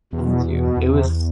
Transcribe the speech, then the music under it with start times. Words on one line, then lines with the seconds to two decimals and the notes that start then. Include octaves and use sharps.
Thank you. It was
0.13 E2 B2
0.45 B2
0.77 E2 C3